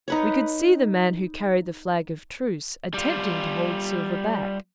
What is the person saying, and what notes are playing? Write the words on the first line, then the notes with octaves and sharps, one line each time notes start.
We could see the man who carried the flag of truce attempting to hold Silver back.
D#4 B4 C#5
G3 F4